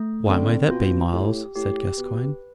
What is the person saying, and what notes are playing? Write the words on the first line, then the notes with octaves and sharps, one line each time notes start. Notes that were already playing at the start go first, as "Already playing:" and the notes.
"Why may that be, Myles?" said Gascoyne.
Already playing: A3
D3 C4
B2 F4
A2 G4
A2 G4
B2 B4